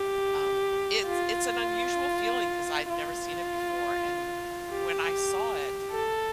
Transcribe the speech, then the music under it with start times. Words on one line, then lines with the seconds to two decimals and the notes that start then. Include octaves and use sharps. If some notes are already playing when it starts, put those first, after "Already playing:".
Um, it's it's an unusual feeling 'cause I'd never seen it before. And when I saw it,
Already playing: G4
1.07 F4
2.89 F4
4.70 G4
5.92 A4